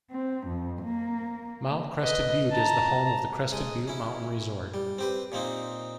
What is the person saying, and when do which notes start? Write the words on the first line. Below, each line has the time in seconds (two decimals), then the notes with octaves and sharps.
Mount Crested Butte is the home of the Crested Butte Mountain Resort.
0.11 C4
0.47 F2
0.83 A#3
2.01 B4 D#5
2.51 A5 A#5
3.52 G#3 D#6
3.88 C#4 E4
4.74 G3
4.98 C4 G4 B4
5.32 A#2 A#3 C4 D#4